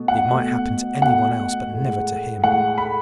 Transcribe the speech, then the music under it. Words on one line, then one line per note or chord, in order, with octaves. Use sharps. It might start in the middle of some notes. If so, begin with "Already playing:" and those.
It might happen to any one else, but never to him!
Already playing: B2 A3
F#5
B2 A3
B2 A3 F#5
A2 G#3
A2 G#3 F#5
B5